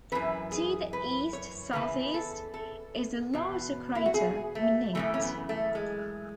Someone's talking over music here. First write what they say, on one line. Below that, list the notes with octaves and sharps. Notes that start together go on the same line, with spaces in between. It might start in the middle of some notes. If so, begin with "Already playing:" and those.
To the east-southeast is the larger crater Minnaert.
F#2 E3 B4
G#4
B4
C#5
E2 C#3 E3 B4
A4
A4
E2 B2
E4
F#4
G#4
A3
F#2 C#3 E3 A3
C#4
B3
A3
G#3